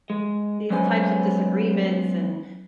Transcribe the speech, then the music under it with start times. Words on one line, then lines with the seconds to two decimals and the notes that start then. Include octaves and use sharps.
these types of disagreements, and
0.10 G#3
0.70 F#3 G#3 B3 C#4 C5 G#5